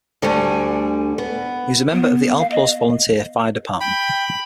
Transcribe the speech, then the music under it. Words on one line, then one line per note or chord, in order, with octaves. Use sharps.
He was a member of the Alplaus Volunteer Fire Department.
D2 D3 G3 A3 G#5
B3
B3
F5
D#5
G5 B5